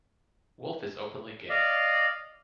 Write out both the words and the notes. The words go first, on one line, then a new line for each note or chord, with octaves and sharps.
Wolfe is openly gay.
D5 D#5 F5